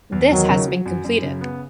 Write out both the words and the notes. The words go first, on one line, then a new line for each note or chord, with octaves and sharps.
This has been completed.
E2
E2 D#3 F#3
C#3
F#3
F#2
F#2
C#3
B3